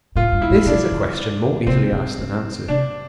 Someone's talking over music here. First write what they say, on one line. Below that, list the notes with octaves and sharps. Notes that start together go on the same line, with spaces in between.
This is a question more easily asked than answered.
A2 F4
G2
E4
G2
B2 D4
D3
C3 C4
B2
A2
C3 D4